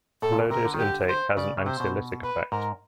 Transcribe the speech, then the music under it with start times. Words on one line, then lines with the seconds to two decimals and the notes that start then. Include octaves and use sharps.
Low dose intake has an anxiolytic effect.
0.22 A2 A4
0.32 A#2
0.36 B2
0.50 C3 A#4
0.65 D3
0.74 D#3
0.79 G4
0.84 D3
1.09 C5
1.37 C#3 D5
1.57 C#3
1.66 C3 C5
1.80 B2
2.24 B4
2.52 G#2 A#4